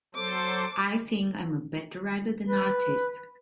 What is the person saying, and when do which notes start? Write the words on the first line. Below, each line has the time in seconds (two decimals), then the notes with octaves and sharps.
I think I'm a better writer than artist.
0.15 F#3 A4 C5 D6
2.48 B4